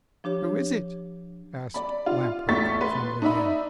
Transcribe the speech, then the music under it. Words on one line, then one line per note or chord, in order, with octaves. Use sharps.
"Who is it?" asked Lamp-Wick from within.
F3 D4 G4 C#5
D5 B5
F4
E2 A2 A3 C#6 A6 B6
B4 B5 C6
D#4 D5 E5 B5